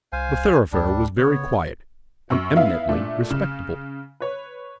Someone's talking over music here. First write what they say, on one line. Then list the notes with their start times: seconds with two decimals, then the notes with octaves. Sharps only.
The thoroughfare was very quiet and eminently respectable.
0.12 C2 C5 F5 G#5
0.72 D2 G3 D4
1.18 C#3 B3 C#5
2.30 F#2 C#6
2.56 B3 D#4 E4 E5 F5
2.88 A#2 A3 D4
3.30 C#3
4.20 B4 C#5